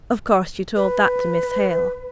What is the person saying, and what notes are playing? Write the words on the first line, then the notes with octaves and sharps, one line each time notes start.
'Of course you told that to Miss Hale?'
B4